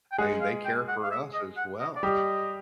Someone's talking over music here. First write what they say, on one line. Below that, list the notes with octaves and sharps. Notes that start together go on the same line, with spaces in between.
They they care for us as well.
G5
G#3 G#4 F#5
F5
G5
F#5
F5
E5
D#5
F#5
D#5
D5
G3 G4 D#5